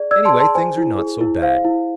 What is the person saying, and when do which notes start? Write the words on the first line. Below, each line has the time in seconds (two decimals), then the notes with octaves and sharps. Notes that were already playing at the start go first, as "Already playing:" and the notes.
Anyway, things are not so bad.
Already playing: G#4 D5
0.11 D5 E6 G#6
0.25 A5 C6
0.33 G#4
0.40 A5 C6
0.55 C5 G#5
0.77 E4
0.98 G#4
1.21 E4
1.42 C5 F5
1.65 E4